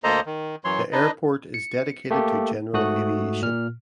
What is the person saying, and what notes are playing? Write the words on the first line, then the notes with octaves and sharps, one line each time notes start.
The airport is dedicated to general aviation.
D2 A#3 A4 C5 D#5 A#5
D#3
F#2 E3 F#3 C#5 C6
D4 D#4 B4 D#5
C#7
A3 A#3 G4 A4
G#2 A3 F#4 D#6 F#6
A#2 F6